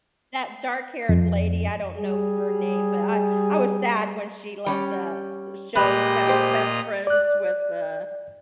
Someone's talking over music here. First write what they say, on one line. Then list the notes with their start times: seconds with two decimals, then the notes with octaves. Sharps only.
That dark haired lady- I don't know her name- but I I was sad when she left the show that was best friends with, uh
1.09 F2
1.97 G3 G#4
4.66 G3 C#4
5.76 A#2 G#3 G4 B4 D#5 A#5
6.27 C5 G5
7.07 D5 F#6